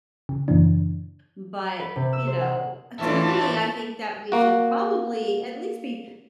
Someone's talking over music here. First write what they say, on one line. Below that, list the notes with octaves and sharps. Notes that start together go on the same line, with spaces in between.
but, you know, uh, to me, I think that we should probably at least be
C#3
F#2 A#2 C#3 E3 D4
B4
C3
E6
C5
F#5
E3 A3 E4 F4 C#5 A5 D6
A#3 F#4